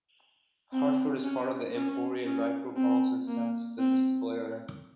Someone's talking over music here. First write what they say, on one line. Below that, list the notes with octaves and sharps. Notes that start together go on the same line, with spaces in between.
Hartford is part of the Emporia Micropolitan Statistical Area.
C4
C#4
C#4
C#4
C4
A#3
C4